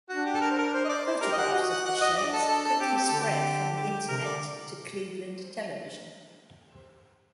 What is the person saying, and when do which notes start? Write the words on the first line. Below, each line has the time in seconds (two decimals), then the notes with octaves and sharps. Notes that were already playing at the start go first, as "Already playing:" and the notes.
Photographs of the shirts quickly spread from the Internet to Cleveland television.
0.09 D4 F#4
0.25 G4
0.34 A4
0.41 A#4
0.50 C5
0.58 A#4
0.74 C5
0.84 D#5
0.89 D5
1.06 C5
1.21 G4 A#4
1.32 D#5
1.38 F#5
1.52 F#4 D#5
1.69 F#5
1.85 F#5
2.01 D#5
2.17 D4 D5
2.33 A4
2.48 A4
2.65 A4
2.80 C4 G4
2.96 G4
3.08 D3 A4
3.19 G4
3.76 G4
4.08 C3 A#4
4.23 D3 D5